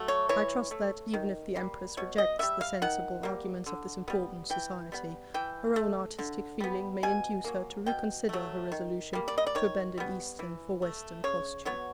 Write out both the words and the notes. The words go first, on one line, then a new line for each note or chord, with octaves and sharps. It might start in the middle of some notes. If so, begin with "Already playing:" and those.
I trust that, even if the Empress rejects the sensible arguments of this important Society, her own artistic feeling may induce her to reconsider her resolution to abandon Eastern for Western costume.
Already playing: F#3 A3
C#5
E3 C#5
A3
D#3
G3 A#3
B2 C#5
D#5
G3 B3 E5
F5
D#3 F#5
G3 A#3
D3
G3 B3
E3 G5
G3 B3
E3 G5
A3
D3
G3 B3
B2 G#5
F#3 A#3
B2 G5
F#3 A3
D#3
G3 A#3
D5
D#5
D5
D#3 C#5
G3 B3
E3
A3
C#3 C#5
F#3 B3 C#5